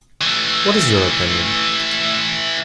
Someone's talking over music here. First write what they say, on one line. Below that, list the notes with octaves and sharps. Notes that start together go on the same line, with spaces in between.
What is your opinion?
E3 A3